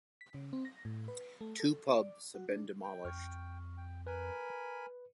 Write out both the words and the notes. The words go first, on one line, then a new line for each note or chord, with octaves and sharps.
Two pubs have been demolished.
B6
C#3
C4
A#6
A2
B4
A3
A4
D5
F#4
D4
G5
F2 C#6 F6
G5
A#4 B4 G#5 B5